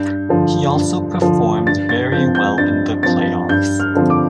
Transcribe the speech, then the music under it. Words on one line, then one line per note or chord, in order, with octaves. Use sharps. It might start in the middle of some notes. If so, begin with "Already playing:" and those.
He also performed very well in the playoffs.
Already playing: G2 G6
D3 F3
G2
D3 F3
G2 A6
A6
F3 C4 G6
G6
G2 A6
F3 C4 A6
G2 G6
F6
D3 F3 C4
D6